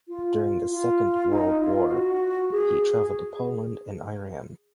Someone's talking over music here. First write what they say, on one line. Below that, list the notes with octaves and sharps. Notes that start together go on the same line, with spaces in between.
During the Second World War he travelled to Poland and Iran.
F4
F4
D#4
F4
F#4
G#4